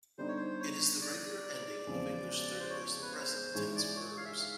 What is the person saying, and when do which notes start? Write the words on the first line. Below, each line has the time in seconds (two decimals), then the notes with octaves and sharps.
It is the regular ending of English third person present tense verbs.
0.18 D3 G3 B3 D#4 C5
0.28 C#5
0.37 C5
0.60 C#5
1.01 D5
1.87 E2 C#3 F3 G#3 C4
2.60 C5
2.70 C#5
3.02 B4
3.12 C5
3.54 G#2 E3 G#3 C#5
3.76 D5
3.96 C#5
4.17 F5
4.25 E5
4.32 F5